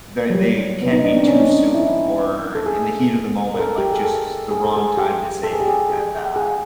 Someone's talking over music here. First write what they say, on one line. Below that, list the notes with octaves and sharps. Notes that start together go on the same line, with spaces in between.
ther they can be too soon or in the heat of the moment, like, just the wrong time to say it, and, uh
F#3
G3
B3
D#4
D4
C4
D4
C#4
D#4
D4
E4
A4
G#4
A#4
A4
G4
G#4
A4
G#4
A4
G#4
G4
A4
G#4
G4
G#4
G#4
G#4